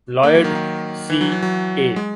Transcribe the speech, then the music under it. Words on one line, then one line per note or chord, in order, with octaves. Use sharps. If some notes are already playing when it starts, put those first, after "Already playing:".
Lloyd C. A.
A#3
F#3
D#3
D#3
E3
F#3
F#3
F#3
G#3